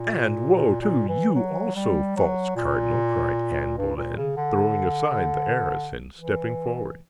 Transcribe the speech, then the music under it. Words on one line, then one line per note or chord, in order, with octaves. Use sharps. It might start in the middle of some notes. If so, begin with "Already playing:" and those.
"And woe to you also, false cardinal," cried Anne Boleyn, throwing aside the arras, and stepping forward.
Already playing: A#2
A#2
A#2
E3
F#3
G3
F#3
A#2
G2
A#2
C#3
D3
E3